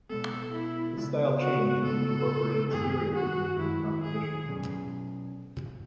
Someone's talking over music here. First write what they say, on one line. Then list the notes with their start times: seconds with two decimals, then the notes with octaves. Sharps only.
His style changed as he incorporated serialism into his compositions.
0.09 B2 G#3 B3 A4
0.53 E4
0.97 C#3 G#3 B3
1.41 F#4
1.84 C#3 G#3 B3 A4
2.71 F#2 D#3 G#3 G#4
3.15 F#4
3.58 F#2 D#3 G#3 E4
4.03 G#4
4.46 B2 F#3 C#4